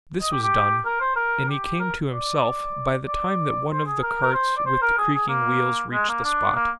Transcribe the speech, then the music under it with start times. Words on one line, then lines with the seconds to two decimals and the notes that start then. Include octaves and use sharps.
This was done, and he came to himself by the time that one of the carts with the creaking wheels reached the spot.
0.21 D#5
0.32 G4
0.42 G4
0.85 A#4
1.00 C5
1.16 A#4
1.48 G4
1.80 A#4
2.12 D5
3.07 D5
3.71 C5
3.86 G#4
4.02 A#4
4.22 A#4
4.34 C5
4.56 D5
4.65 C5
4.82 A#4
4.97 G#4
5.13 G#4
5.28 A#3
5.92 G#3
6.09 A#3
6.24 D4
6.55 A#3